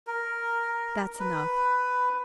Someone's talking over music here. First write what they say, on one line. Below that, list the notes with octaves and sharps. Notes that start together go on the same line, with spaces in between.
That's enough.
A#4
B4